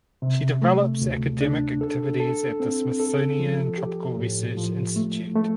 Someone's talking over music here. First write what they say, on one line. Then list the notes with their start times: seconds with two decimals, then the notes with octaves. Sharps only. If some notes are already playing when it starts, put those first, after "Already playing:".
She develops academic activities at the Smithsonian Tropical Research Institute.
0.22 C3
0.62 A3
1.01 D2
1.41 D4
1.81 A4
2.20 A4
2.60 C4
3.00 A4
3.39 F3
3.78 G4
4.17 A2
4.57 F3
4.96 A3
5.35 A3